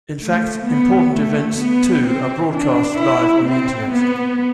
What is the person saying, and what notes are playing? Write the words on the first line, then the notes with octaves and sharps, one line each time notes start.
In fact, important events too are broadcast live on the internet.
A3
B3
A3
B3
C4
D4
E4
C4
B3